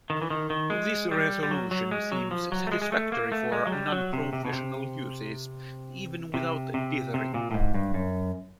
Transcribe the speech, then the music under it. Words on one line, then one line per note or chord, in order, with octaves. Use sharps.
This resolution seems satisfactory for non-professional uses, even without dithering.
D#3
E3
D#3
D#3
G#3
G3
G3
F#3
F#3
G#3
F#3
F3
F#3
A3
G#3
G#3
A3
A#3
A3
G#3
F#3
G3
F#3
C3
C3
B2
C3
C3
C3
C3
A#2
A2
G#2
G2
F#2